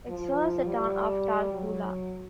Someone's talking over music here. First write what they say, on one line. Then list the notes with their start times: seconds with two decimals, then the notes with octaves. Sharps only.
It serves the town of Tarcoola.
0.08 F3
0.67 G3
1.53 F#3